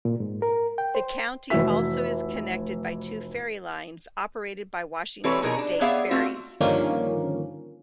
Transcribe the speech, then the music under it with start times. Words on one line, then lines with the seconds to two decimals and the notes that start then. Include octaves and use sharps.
The county also is connected by two ferry lines operated by Washington State Ferries.
0.05 A#2
0.20 G#2
0.42 A#4
0.78 G5
0.95 C5
1.50 F1 E3 F#4 E5 B6
5.24 E3 G3 C4 A4 B4 C#5
5.42 B2 D#4 G#4 A#4 C#5
5.58 D4
5.81 B3 G#4 C#5 D5 E5 F5
6.11 A3 C4 F4 F#4
6.61 G2 D3 D#3 F3 A#3 C#4